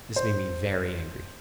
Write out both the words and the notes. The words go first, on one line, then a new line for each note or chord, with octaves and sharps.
This made me very angry.
C5